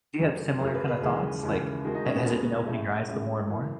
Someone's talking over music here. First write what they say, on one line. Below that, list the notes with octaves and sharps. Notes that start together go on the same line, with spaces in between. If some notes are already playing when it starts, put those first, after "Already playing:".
Do you have similar kind of thoughts? Like, ha has it been opening your eyes to more and more?
F#2 C#3 F#3
F#2 C#3 F#3 G#4
B4
B4
D#2 C#3 E3 G#3
D#2 C#3 E3 G#3
D#2 D#3 G#3 F#4
D#4
C#4
B3
D#2 D#3 G#3 B3
A1 A2 G#3 A3
A1 A2 G#3
F#2 E3 A3